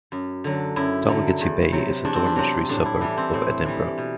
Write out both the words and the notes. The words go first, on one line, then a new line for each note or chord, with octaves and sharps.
Dalgety Bay is a dormitory suburb of Edinburgh.
F#2
D3 F#3
F#2 E4
D3 F#3
E2
C3 F#3
E2 D4
C4
D4
C3 F#3 C4
A2 D4
E4
E3 G3 D4
C4
A2 C4
E3 G3
B2